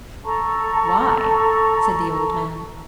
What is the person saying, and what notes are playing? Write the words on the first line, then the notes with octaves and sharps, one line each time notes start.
"Why?" said the old man.
A4 A5 A#5 C#6